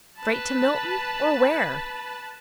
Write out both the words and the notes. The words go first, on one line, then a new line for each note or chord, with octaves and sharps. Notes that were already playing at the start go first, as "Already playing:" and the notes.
Straight to Milton, or where?
B4 A5